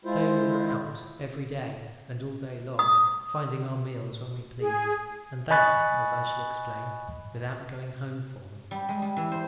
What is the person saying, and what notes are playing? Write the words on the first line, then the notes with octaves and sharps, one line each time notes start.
So we were out every day and all day long, finding our meals when we pleased, and that, as I shall explain, without going home for them.
G#3 E4 F4 C5
D#6
G#4
D#5 G#5 B5 C#6 F#6 A6
G3
G#3
G3
E3
C5